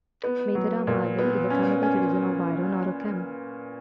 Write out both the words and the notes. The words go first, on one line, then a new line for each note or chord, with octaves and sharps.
Maytera Marble is a chemical citizen of Viron, or a chem.
B3
F#3
A#2
B3
C#4
C#4